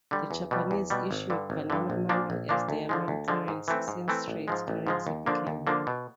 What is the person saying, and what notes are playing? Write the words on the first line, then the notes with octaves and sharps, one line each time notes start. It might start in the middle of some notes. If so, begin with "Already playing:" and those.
The Japanese issued banana money as their main currency since Straits currency became rare.
D3 G3
E2
B2 G3
E2
B2 G3
G#1
G2 D3
G#1
G2 D3
A#1
A#2 F3 A#3 D4
A#1
A#2 F3 A#3 D4
D2
D3 F3 G#3
D2
D3 F3 G#3
G#2
E3 A3 C4
G#2
E3 A3 C4
A1
G#2 F3 G#3
A1
G#2 F3 G#3
D#2
D3 F3 A#3 D4
D#2
D3 F3 A#3 D4
B2